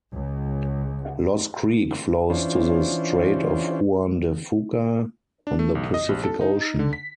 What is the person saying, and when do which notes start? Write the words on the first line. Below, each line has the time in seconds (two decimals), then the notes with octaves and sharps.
Loss Creek flows to the Strait of Juan de Fuca on the Pacific Ocean.
0.14 C#2
2.30 E3 C#4 D4 F4 C5
5.47 D4
5.59 A3
5.75 B1
5.94 D#5
6.09 A#1
6.24 A4
6.41 D#4
6.79 D3
6.93 B6